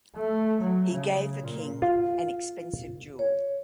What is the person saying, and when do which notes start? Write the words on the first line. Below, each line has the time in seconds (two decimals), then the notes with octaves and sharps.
He gave the king an expensive jewel.
0.17 A3
0.61 F#3
0.92 C#3
1.41 A#2
1.82 F4
3.19 C#5